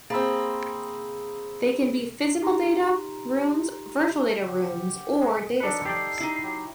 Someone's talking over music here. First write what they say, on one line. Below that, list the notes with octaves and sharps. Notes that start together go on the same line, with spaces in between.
They can be physical data rooms, virtual data rooms, or data centers.
A#3 C4 G#4 B5 E6
D#4 F4 G4 A#5 C6
G4 F#5
G#3 G5
D4 D#4 A4 B4 C#7
G4 D5 G5 C7
D#4 E4
F#3 G4